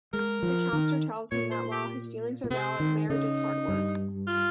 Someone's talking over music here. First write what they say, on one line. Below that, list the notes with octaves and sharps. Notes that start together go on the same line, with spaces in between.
The counselor tells him that while his feelings are valid, marriage is hard work.
G#3 A#4
F3
D#3
A#2 C#5
C5
G4
A#2
C3 C4
D#3
C#3 D#4
G2
F4